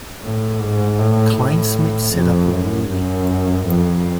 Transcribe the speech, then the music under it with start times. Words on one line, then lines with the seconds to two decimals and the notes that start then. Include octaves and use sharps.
Kleinschmidt set up a brewery.
0.22 A2
0.60 G#2
0.99 A2
1.36 A2
2.14 F2
2.52 F#2
2.91 F#2
3.67 F2